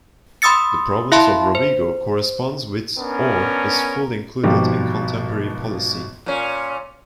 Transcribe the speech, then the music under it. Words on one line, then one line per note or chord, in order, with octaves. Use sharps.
The province of Rovigo corresponds with or is full included into contemporary Polesine.
B5 C6 D#6 E6 A6 C#7
E4 E5 F5 A5 B5 C6
C5
B3 C#4 D4 A#4
G#1 B2 F3 G3 G4
A#2 C#4